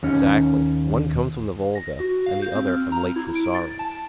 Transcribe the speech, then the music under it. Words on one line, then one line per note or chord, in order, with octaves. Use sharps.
"Exactly; one comes from the Volga, and the other from Lake Fusaro."
D#2 C#4
A#6
F#4
F5
G6
C4
F6
A#5
E4
D7
A6
A5